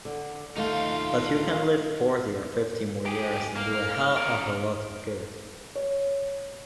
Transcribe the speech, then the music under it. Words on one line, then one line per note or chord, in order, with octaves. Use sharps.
But you can live forty or fifty more years and do a hell of a lot of good.
D3
D#2 A3 D#4 F4 F5
G4 G#4
A#3 F6
D#4 D5
C#5